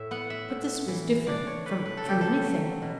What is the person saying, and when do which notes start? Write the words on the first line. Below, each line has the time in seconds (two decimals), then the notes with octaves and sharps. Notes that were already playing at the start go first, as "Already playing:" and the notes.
But this was different from--from anything.
Already playing: A2 E5
0.11 B3 F#5
0.30 E5
0.50 A2
0.88 E3
1.27 D4 D5
1.47 C#5
1.66 A3 B4
1.86 B4
1.97 A4
2.05 C#3 G4
2.21 A4
2.44 F#3
2.82 B2